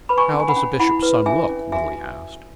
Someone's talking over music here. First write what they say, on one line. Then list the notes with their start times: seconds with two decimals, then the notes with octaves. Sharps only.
"How does a bishop's son look?" Lily asked.
0.09 B4 B5
0.18 G#5 C#6
0.33 C#4
0.40 G#5
0.49 F#5 B5
0.56 C#4
0.79 E4 F#5 B5
1.03 B4
1.26 C#4 E5 G#5
1.49 C#4
1.72 F#4 E5 G#5